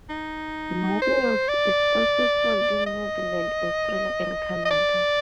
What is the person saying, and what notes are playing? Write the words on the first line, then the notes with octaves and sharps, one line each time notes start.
"Warriors" is also sold in New Zealand, Australia, and Canada.
D#4
C5
D5
D#5
D#5
D5